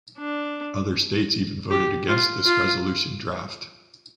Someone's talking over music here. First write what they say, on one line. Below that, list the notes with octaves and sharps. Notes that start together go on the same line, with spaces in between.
Other states even voted against this resolution draft.
D4
G4
F4
F4